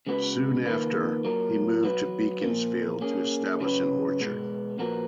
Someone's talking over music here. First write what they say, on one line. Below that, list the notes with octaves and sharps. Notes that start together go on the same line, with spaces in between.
Soon after, he moved to Beaconsfield to establish an orchard.
C#3 G#3 B3 F#4 B4
D#3 A#3 F4 B4
F#3 A#3 F4 A#4
F#3 B3 F#4 B4
A#2 F3 A#3
A#3 C#4 G#4
C#3 F#3 C#4 G#4 B4
B2 G#3 B3
A#2 F3 B3 F#4 A#4